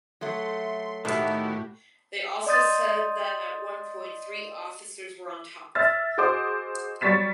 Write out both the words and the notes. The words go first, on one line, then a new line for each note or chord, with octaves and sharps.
They also said that at one point three officers were on top of him.
F#3 A3 C6
A2 D#3 B3 E4 F#4 G4
D5 D#5 C6 D#6 G6 A6
E5 E6 F6 A6
F#4 G#4 C5 D#5 D6 D#6
F#3 G3 C#6 A6 B6 E7